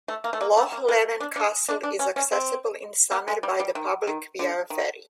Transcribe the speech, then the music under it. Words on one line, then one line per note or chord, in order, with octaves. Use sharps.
Loch Leven Castle is accessible in summer by the public via a ferry.
A3
A#3
A3
A#3
A3
A#3
B3
D4
D4
D4
D4
C#4
C#4
C4
A#3
G#3
G3
G3
D#3
D#3
D3
D#3